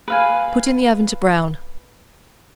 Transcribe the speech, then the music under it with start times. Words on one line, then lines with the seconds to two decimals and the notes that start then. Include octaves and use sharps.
Put in the oven to brown.
0.08 B4 F5 G#5